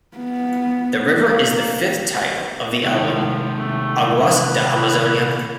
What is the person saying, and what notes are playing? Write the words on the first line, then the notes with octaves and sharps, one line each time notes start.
The river is the fifth title of the album Aguas da Amazonia.
B3
A#3
C3 D#3 G#3 A3
F3
A3
B4